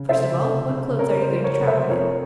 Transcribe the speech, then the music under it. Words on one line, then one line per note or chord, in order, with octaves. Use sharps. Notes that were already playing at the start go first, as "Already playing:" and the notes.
"First of all, what clothes are you going to travel in?"
Already playing: C#3
F1 C5 E5
F1
C#3
C#3 A#4 C#5
C5
F3
A#4 C#5
F1
C5 E5
F2 A#4 C#5